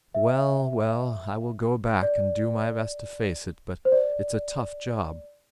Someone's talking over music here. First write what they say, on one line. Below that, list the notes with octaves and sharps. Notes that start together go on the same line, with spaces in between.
'Well, well, I will go back and do my best to face it, but it's a tough job.'
E5
D5
C5
D5